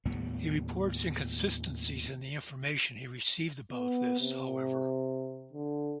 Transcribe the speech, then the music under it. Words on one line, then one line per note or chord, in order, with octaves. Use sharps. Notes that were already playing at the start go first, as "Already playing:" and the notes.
He reports inconsistencies in the information he received about this, however.
D#2 A2 G3 B3
B3
C3
D3